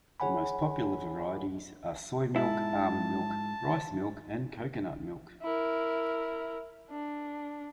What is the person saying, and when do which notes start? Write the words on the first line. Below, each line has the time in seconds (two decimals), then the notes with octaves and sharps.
The most popular varieties are soy milk, almond milk, rice milk and coconut milk.
0.20 G#4 C#5 F#5 G#5 B5
2.36 G#2 E4 A5
5.43 E4 A#4
6.90 D4